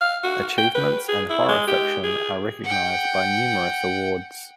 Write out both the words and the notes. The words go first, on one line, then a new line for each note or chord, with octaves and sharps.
Achievements in horror fiction are recognized by numerous awards.
F5
F#4
G5
B4
G#4
E4
G#3
G4
G#4
F#5 G5